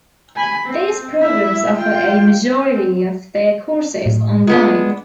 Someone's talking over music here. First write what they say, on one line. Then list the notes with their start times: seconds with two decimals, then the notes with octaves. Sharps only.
These programs offer a majority of their courses online.
0.36 G#5 B5
0.66 C4
1.22 E4 E5
1.77 F4 G5
2.50 C4
4.06 A2
4.47 G#3 B3 D4 F4